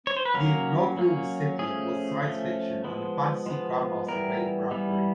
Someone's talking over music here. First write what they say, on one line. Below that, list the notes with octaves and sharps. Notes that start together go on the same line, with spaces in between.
The inaugural recipient was science fiction and fantasy Grandmaster Ray Bradbury.
C#5
C5
B4
F#3 A#3 C#4 A#4
F#3 A#3 C#4
F3 A3 C#4 G#4
F3 A3 C#4
F3 G#3 B3
F3 G#3 B3
E3 G3 B3 A#4
E3 G3 B3